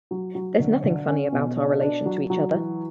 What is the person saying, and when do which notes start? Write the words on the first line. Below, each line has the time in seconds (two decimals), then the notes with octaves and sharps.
There's nothing funny about our relation to each other.
0.11 F#3
0.35 F#3
0.59 D3
0.84 D3
1.08 C#4
1.32 B2
1.57 D4
1.81 D4
2.06 F#3
2.30 F#3
2.54 E3